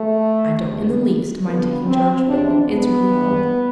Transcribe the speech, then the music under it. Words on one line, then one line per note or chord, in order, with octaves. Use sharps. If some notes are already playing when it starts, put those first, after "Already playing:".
"I don't in the least mind taking charge of it," answered Wingfold.
Already playing: A3
E2 D3 G3
F2 D3 G3 B3
C4
E2 C3 F3 D4
B3
G2 E3 G3